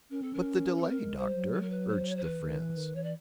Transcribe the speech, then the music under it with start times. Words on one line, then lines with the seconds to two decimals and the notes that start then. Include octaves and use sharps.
"But the delay, doctor," urged the friends.
0.11 C#4 A#4
0.22 C4 A4
0.33 C#4 A#4
0.77 A4
0.81 C4 A#4
0.99 G#3
1.17 G3 C5
1.35 F#3
1.53 B4
1.61 A#4
1.70 B4
1.88 C5
2.08 C#5
2.16 C5
2.23 E3 B4
2.41 D#3
2.59 E3
2.77 D#3
2.95 E3 C#5
3.03 D5